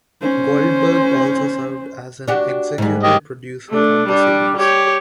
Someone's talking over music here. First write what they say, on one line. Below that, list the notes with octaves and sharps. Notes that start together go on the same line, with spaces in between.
Goldberg also served as an executive producer on the series.
C#4 C5
D4 F#4 G4
G#2 G3
G4 D#5
A3 D4
G3 D4
G4 C#5